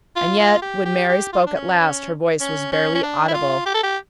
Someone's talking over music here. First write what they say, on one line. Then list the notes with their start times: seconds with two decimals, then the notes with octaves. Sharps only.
And yet, when Mary spoke at last, her voice was barely audible.
0.16 F4
0.39 F4
0.62 G4
0.85 G4
1.09 G4
1.33 F4
1.46 D4
1.56 C#4
1.79 C#4
2.41 C#4
2.72 C#4
2.95 C#4
3.03 D4
3.28 E4
3.34 F4
3.65 G4
3.74 A4
3.83 G4